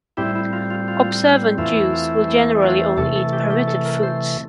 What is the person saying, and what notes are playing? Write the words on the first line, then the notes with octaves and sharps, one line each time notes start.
Observant Jews will generally only eat permitted foods.
A2 G3 C4 E4 G4
E4
F4
F4
F4
E2 E3 A3 C4 E4 F4
F4
E4
F4
C3 E3 A3 A4
A4
G4
G4
A4
A#4
C5